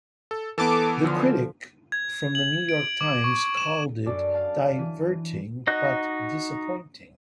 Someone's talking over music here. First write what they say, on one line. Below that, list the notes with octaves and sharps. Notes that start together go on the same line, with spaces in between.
The critic from the "New York Times" called it "diverting but disappointing".
A4
E3 B3 A4 A5 D6
D3 F3
G#6
F#7
D7
D6
C#6
E7
F#2 D4 A4 D5
F5 A5
E3 D#7
D#4 F#4 D#5 F#6